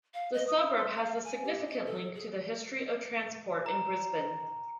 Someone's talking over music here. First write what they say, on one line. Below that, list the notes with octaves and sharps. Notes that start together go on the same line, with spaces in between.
The suburb has a significant link to the history of transport in Brisbane.
F5
D#5
D#6
C6
F5
G#5
G4
D#5
A4
G#4
A#5